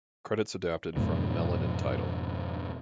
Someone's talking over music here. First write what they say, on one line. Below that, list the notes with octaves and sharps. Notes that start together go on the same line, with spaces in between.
Credits adapted from Melon and Tidal.
F2 G#2 B2 D3